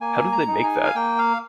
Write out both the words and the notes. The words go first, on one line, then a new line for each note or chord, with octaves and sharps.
How did they make that?
A#3 G#5
A#5
D#4 G#4
G#5
F5
A#3 G5
F5